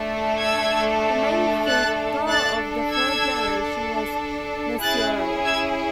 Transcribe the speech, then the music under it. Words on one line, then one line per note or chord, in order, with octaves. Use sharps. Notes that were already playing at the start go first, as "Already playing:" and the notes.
The main figure of the third generation was Nestorius.
Already playing: A3 D4 A4
E6 G#6
F#6 A6
D4 A4 F#6 A6
E6 G#6
C#4 E4 G#4 F#6 A6
E6 G#6